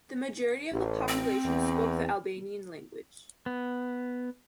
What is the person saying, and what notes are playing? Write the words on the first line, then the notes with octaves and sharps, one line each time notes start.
The majority of the population spoke the Albanian language.
A1
C4
E2
B3